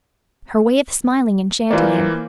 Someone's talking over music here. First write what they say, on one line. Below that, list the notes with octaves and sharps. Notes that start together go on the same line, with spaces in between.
Her way of smiling enchanted him.
E3 A#3 F4 C5 D5